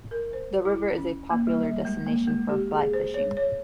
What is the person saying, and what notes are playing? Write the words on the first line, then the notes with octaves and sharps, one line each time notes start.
The river is a popular destination for fly fishing.
A#4
C5
E4
C#4
A#3
G3
G3
G#3
A#3
G#3
G4
G#4
C5
C#5
C#5